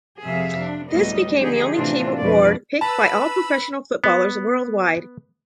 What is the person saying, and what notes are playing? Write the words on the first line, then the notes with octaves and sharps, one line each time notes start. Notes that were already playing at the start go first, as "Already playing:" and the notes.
This became the only team award picked by all professional footballers worldwide.
F2 C3 G#4 E5 F5
D4
D2 A2 F#3 G3 B3 D#5
D3 F3 D#4 G4 G#4
A2 C3 E3 C4 D4 F4
F2 B2 D4 B4 D5
B4 A5 B5 E6
B3